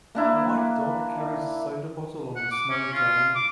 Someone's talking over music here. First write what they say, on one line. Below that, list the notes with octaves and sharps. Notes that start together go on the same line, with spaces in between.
A white dog carries a soda bottle on the snowy ground.
A#3 D4 E4
F#5
D6
C#4
F4
D6